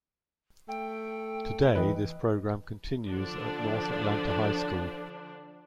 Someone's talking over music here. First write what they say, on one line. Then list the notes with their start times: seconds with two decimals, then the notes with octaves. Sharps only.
Today this program continues at North Atlanta High School.
0.68 A3 G5
1.75 D2 E3 B4 D#5
3.08 D3 F3 D4